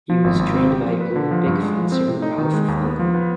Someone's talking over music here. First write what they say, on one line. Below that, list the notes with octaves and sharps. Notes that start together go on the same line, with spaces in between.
He was trained by Olympic fencer Ralph Faulkner.
F3
G#1
G#1
C4
G4
F3
B4
D3
F3
G2
G#3
F3
C4
C3
D#4
D#3
G#3
D#2
B3
F3
B3